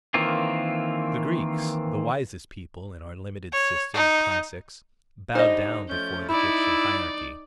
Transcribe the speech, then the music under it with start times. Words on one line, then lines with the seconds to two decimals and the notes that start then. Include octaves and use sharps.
The Greeks, the wisest people in our limited system of classics, bowed down before the Egyptian hierarchy.
0.14 D#3 E3 A#3 C4 F4
3.52 C#5
3.94 D#4
5.35 D3 G3 D#4 C5 D#5
5.90 F3 A3 C#4 G6
6.29 D#4 E4 D5